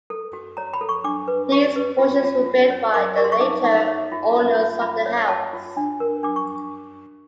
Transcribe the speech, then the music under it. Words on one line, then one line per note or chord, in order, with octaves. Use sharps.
These portions were built by the later owners of the house.
A4
F#4
C#5 A#5
B5
A4
C#6
D4 D6
B4
G4 C#6
B4
F4
F4
F4
C#5
A#4 D6
A#4 C#6
C6
C#6
D#4 D6
D#4 C#6
C#5
F4
F4
F4
F4 B5
C#5
C#5 A5
F4
D4
A#4
D4 D6
C#6